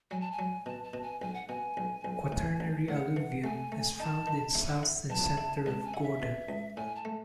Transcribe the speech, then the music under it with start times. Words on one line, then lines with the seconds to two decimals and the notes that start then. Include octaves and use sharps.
Quaternary alluvium is found in south and center of Gordon.
0.11 F#3 G#5
0.21 A5
0.32 G#5
0.39 F#3
0.66 B2 A5
0.84 A5
0.93 B2
1.03 G#5
1.21 B1 G#5
1.34 F#5
1.48 B2 G#5
1.77 B1
2.05 B1
2.32 A2
2.60 A1
2.89 A2 F#5
3.17 E3
3.44 A3 G#5
3.72 A3
3.99 D#4 A5
4.27 D#3
4.55 E4
4.83 E4
5.10 B1 A5
5.38 E4
5.66 C#2 A5
5.85 G#5
5.94 E4 F#5
6.02 E5
6.22 B2
6.49 C#2
6.76 A2 G#5
6.96 A5
7.05 A3